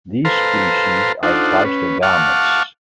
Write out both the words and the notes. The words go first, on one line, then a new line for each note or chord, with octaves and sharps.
These species are cleistogamous.
A4 B4 C5 F5 A#5 C6
D4 D#4 F4 A4 C5 F#5
C#4 B4
F5 F#5 A5 C#6 D6 F6